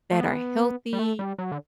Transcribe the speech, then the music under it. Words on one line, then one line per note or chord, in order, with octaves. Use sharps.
that are healthy
A3
B3
G3
A3
G3
F#3
D3